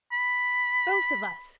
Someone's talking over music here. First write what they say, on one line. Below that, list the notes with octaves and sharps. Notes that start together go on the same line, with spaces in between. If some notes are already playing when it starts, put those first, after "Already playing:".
"Both of us!"
B5